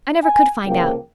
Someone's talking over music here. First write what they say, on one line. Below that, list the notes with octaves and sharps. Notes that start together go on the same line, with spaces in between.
I never could find out.
G#5
C#2 C3 F3 A#3 G5